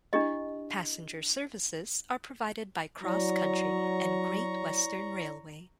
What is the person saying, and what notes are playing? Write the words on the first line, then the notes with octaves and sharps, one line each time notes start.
Passenger services are provided by CrossCountry and Great Western Railway.
D4 E4 G4 D#5
F#3 E4 C#5 D5 A#5 C#6